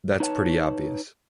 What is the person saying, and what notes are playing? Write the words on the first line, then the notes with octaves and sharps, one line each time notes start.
That's pretty obvious.
D#4 B4 C#5 G5 A5